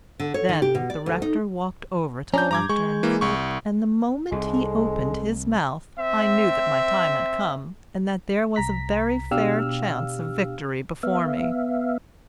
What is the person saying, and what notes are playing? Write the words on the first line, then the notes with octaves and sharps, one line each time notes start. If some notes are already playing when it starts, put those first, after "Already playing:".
Then the rector walked over to the lectern, and the moment he opened his mouth I knew that my time had come, and that there was a very fair chance of victory before me.
D3
C#5
D#3
G4
B2
D5
D2
D#4
C#4 D4 A#5 G6
G2 A#5 D6 G#6
G#3 C#6
E3 A#3
C2 C#6
C2 G#3 C4 D#4 A4
C4 E5
C2 A#5 B6
B2 D4 G4 F5 E6 F6
B3 E5 F5